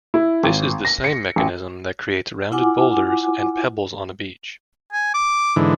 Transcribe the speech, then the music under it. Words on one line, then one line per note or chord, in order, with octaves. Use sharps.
This is the same mechanism that creates rounded boulders and pebbles on a beach.
E4
G#1
A#6
C#7
A1
E4 F4 F#5 G#5 D6
G#5
D6
G#2 D3 E3